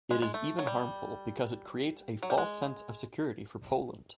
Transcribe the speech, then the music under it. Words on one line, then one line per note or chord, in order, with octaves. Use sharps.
It is even harmful because it creates a false sense of security for Poland.
G#3
G#3
A3
F#3
G3
F#3
G3
G#3